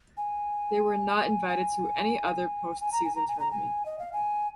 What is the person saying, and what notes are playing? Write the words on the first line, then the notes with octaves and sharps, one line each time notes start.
They were not invited to any other postseason tournament.
G#5
G#5
G#5
A#5
G#5
A#5
G#5
A#5
G#5
D#5
F5
G#5